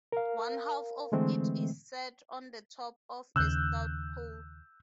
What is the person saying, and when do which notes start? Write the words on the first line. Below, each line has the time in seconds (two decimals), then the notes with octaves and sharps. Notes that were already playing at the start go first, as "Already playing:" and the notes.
One half of it is set on the top of a stout pole.
0.12 A#4 F5
1.12 D3 E3 G#3 A3 C4
3.36 D#2 C#3 E6 F#6 G6